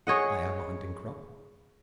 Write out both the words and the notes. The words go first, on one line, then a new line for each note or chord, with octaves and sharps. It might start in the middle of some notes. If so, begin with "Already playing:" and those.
"I have a hunting-crop."
G#4 C#5 D#5 F#5